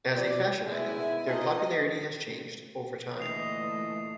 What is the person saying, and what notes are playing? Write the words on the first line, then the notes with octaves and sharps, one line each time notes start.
As a fashion item, their popularity has changed over time.
A#1 F3 D5
D#3 G#3 B3 E4 G#5
D#4 F4 G#4 A4 D#5
A#2 D3 E3 A3 D#5 D#6 C7 F7